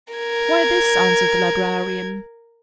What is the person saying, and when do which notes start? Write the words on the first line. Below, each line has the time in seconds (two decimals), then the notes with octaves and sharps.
"Why this," answered the librarian.
0.14 A#4 G#6